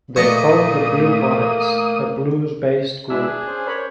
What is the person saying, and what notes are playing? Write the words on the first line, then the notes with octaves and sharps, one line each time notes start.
They formed the BlueBonnets, a blues-based group.
A#2 E3 A3 A#3 D5 D#5 C#6 D#6
G#3 D4 E4 E5
G#4
C#4 C5
A#4 C#5 B5